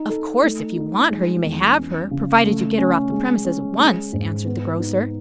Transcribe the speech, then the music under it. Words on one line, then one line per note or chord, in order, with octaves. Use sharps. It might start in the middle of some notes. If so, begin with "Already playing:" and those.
"Of course if you want her you may have her, provided you get her off the premises at once," answered the grocer.
Already playing: D#4
A4
A3
D#4
G#3
E2
C#4
C#3
A3
C#4
G#3
C#4
G#3
G#2
B3
D#4